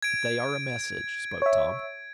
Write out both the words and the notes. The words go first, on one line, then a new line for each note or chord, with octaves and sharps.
"But they are a message," spoke Tom.
G#6 D7
C#5 E5